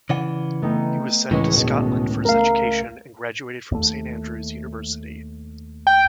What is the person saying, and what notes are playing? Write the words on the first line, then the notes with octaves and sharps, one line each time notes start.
He was sent to Scotland for his education and graduated from Saint Andrews University.
C#3 E3 D5 F#5
A3 B3 D#4 G5
C#2 A2 D#3 E3 G#3 C#4 C#6
B2
A3 A#4 F5 A#5
D#2 A3
G5